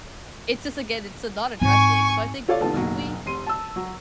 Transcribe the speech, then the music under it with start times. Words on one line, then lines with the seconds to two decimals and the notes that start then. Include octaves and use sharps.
it's just, again, it's, eh, not addressing so, I think truly,
1.61 G#2 C4 G#5 C#6
2.48 F4 A4 C#5 D5 F5
2.60 C2 D#3 A3 B3 F4 A5
2.74 F#1 D#2 B2 F#3
3.26 F1 C6 D#7
3.47 A5 E6
3.76 F#3